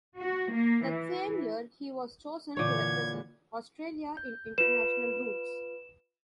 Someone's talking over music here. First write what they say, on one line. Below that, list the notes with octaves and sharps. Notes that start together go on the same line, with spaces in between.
That same year he was chosen to represent Australia in International Rules.
F#4
A#3
E3
A#2 D3 E3 C#5 G#6
G6
F4 B4 E7